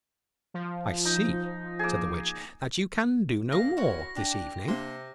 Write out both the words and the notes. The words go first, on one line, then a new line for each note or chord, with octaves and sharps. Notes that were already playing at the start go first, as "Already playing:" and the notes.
'I see,' said the Witch, 'that you can do no more this evening.
F3
D#4
A#3 G#4
A#2 A#3 F5 A#6
C4 E4 F#4 A#4 C#5
D4 G4
C3 A#3 D4 C6